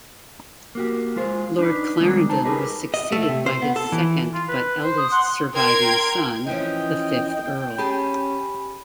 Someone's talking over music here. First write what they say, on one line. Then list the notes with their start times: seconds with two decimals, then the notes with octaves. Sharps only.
Lord Clarendon was succeeded by his second but eldest surviving son, the fifth Earl.
0.75 A#3 F#4 G4
1.16 G#3 F4 C5
1.58 D4 D#4 B4
2.00 D#3 G3 G#3 C4 D4
2.29 D#4 C5 A5
2.45 G4 G#4 A#4 B4 C#5 D#5
2.94 D#5
3.12 A3
3.29 C3
3.46 C5
3.62 B3
3.76 A4
3.92 E3
4.34 F4
4.48 B4
4.83 C5
4.98 D#6
5.12 F#5 C6
5.54 A#4 G5 C6 G#6
6.47 E3 F3 C#4 D#5 G5
7.78 C#4 G4 G#4 A5 B5